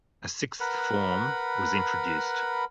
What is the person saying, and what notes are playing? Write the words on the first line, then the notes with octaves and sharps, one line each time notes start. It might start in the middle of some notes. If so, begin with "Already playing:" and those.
A Sixth Form was introduced.
A#4 B4 F#5 B5